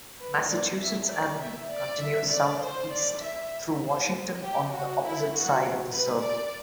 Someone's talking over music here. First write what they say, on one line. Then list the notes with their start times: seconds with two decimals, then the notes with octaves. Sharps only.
Massachusetts Avenue continues southeast through Washington on the opposite side of the circle.
0.21 B4
0.51 D5
0.80 E5
1.12 D5
1.42 E5
1.71 D5
2.01 E5
2.32 D5
2.61 C5
2.92 D5
3.21 E5
3.82 C5
4.42 G4
4.72 F#4
5.02 E4
5.33 F#4
5.93 B4
6.23 D5